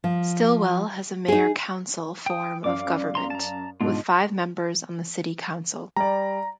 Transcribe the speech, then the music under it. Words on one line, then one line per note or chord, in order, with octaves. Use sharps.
Stilwell has a mayor-council form of government, with five members on the city council.
F3
D#4 G#4
G5 D#6
F#2 D5 F5 D6
A#5 C6
A5 A#5
G#2 B2 D4 F4
G3 D5 A#5